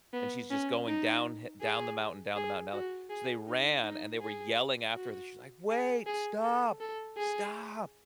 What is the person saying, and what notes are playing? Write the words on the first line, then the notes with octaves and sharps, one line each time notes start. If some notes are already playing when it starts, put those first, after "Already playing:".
and she's just going downhi down the mountain, down the mountain, down so they ran, and they were yelling after her, she's iike, "Wait, stop, stop!"
B3
C#4
D#4
G#4
G#4
F#4
G#4
D#4
D#4
G#4
F#4
G#4
G#4
A4
A4
G#4